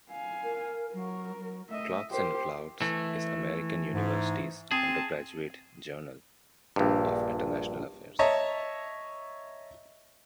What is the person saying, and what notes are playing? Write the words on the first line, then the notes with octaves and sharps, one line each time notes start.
Clocks and Clouds is American University's undergraduate journal of international affairs.
F5 G#5
A#4
F#3 A#4
F#3
A3 D#5 E5
G4 A#4 C5
E3 A3
G#2
C4 G#4 A5
A#1 G2
C#5 D#5 E5 A5 A#5 C#6